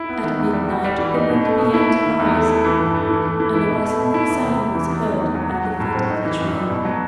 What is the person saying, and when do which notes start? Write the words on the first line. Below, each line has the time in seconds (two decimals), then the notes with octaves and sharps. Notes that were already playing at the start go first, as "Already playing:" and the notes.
At midnight the wind began to rise, and a rustling sound was heard at the foot of the tree.
Already playing: E4
0.09 B3
0.23 D#3
0.38 E2
0.53 G3
0.68 F#4
0.84 G3
0.99 E3
1.14 D#4
1.29 B2
1.45 A3
1.59 B2
1.74 E4
1.90 E4
2.05 D#3
2.20 E2
2.35 A3
2.49 E4
2.65 E3
2.79 G2
2.94 A3
3.09 E3
3.24 A3
3.40 E3
3.55 E4
3.69 B2
3.85 A3
4.00 B2
4.14 E4
4.30 E2
4.45 C3
4.60 E2
4.75 E3
4.90 E2
5.05 D#3
5.20 E2
5.35 F#3
5.50 F#4
5.65 F#3
5.80 A2
5.94 C4
6.10 D#4
6.25 E3
6.41 F#2
6.55 G3
6.70 B2
6.85 F#3